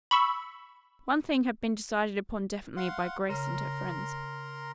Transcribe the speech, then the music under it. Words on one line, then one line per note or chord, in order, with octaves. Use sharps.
One thing had been decided upon definitely by Grace and her friends.
B5 C#6 E6
F5 F#5 C6
C#3 A#4 A#5 C6